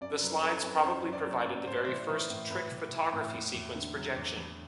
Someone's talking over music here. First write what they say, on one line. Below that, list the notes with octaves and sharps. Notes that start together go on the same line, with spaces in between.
The slides probably provided the very first trick photography sequence projection.
F#2 D5
F#3 B4
F#3 A4
F#2 B4
F#2 C5
F#3
D5
F#3
D5
F#2
A2 C5
D5
C5
E3
E3 B4
A2
A2 B4
E3
E3
A2
E2
E2
D3
F#3
E2
E2